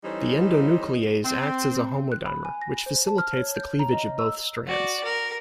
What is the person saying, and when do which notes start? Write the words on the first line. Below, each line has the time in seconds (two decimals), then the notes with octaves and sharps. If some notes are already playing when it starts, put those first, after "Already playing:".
The endonuclease acts as a homodimer, which facilitates the cleavage of both strands.
0.03 E3 G3 C#4 D#4 A4 C5
1.23 C4
2.12 F#6
2.26 B5
2.45 G#5
2.62 A#6
2.86 C5
3.07 A5
3.18 F6
3.37 C#5
3.56 G6
3.79 A#5
3.93 D#5
4.19 E6
4.67 F#4 D5
5.04 A#4